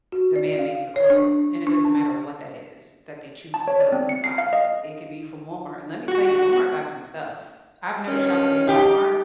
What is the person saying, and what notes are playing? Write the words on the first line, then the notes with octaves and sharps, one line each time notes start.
The man makes the clothes, and it doesn't matter what that is that they choose to put on their body. It could be from Walmart, and let me tell you, Walmart got some stuff. I've never shopped in Walmart,
F#4
D5
F5
C#5
D4
D4
A5
A5
C#5
D5
C4
C#7
C7
F5
D#5
F#4
G2 D#3 C#4
D#4 G4